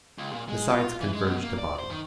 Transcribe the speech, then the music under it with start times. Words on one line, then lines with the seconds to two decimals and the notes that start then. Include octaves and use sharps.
The sides converged to bottom.
0.18 C#2
0.33 A#2
0.49 G#3
0.69 F4
1.01 E3
1.13 G#3
1.26 B2
1.43 A#3
1.58 D5
1.78 C5
1.90 D#3